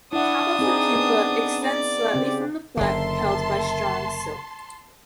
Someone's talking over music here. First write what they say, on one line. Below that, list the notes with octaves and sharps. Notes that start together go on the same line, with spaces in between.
The top of the pupa extends slightly from the plant, held by strong silk.
D4 E4 F#5 D#6
C4 D#4 G#4
B3
D5
C#3 C4 G4
F#1 D3 A#4 E5 A5 C6